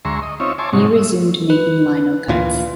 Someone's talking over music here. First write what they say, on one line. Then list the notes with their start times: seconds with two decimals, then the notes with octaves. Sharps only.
He resumed making lino-cuts.
0.05 D2 G#3 E5 A#5 C6 C#6
0.22 D#5
0.40 C4 C#4 D#4 F4 C#5 E5
0.58 C#5 E5 G#5 A5 C6 D6
0.73 G#2 C3 F#3 C#4 D#4
0.95 E5
1.50 B4
2.28 D2 A#2 E3 F4